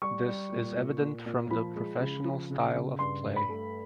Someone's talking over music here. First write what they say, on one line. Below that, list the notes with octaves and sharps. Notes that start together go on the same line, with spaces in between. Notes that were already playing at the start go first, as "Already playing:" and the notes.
This is evident from the professional style of play.
G3 C#6
G3
A#2
A#2
A#2
A#2
F3 B5
G#3
C#3
F3
C#3
C#3
G2 C6
G2
B5
A3